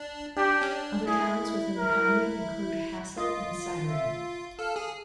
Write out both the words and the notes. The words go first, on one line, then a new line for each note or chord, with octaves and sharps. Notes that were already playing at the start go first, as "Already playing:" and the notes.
Other towns within the commune include Hassel and Syren.
Already playing: D4
D4 G4
C#4
D4
E4 G#4
A#4
F4 D#5
E5
A4 F5
G#4